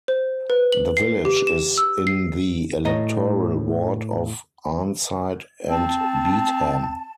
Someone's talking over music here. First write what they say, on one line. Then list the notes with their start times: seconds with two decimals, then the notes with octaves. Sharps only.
The village is in the electoral ward of Arnside and Beetham.
0.08 C5
0.50 B4
0.72 F#7
0.97 C7
1.25 G4
1.47 E7
1.78 E6
2.07 C7
2.85 A2 C#5 D#5 A#5
5.68 C4 A5